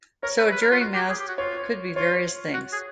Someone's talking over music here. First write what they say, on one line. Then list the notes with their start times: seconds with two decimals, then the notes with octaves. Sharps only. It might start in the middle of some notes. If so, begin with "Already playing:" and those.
So a jury mast could be various things.
0.23 A#4 C#5
0.38 B4
0.51 B4
0.61 A#4
0.71 F4
0.80 F#4
0.95 G4
1.09 G#4
1.20 G4
1.28 F#4
1.38 F4 C#5
1.96 F4 C#5
2.54 F#4
2.72 G#4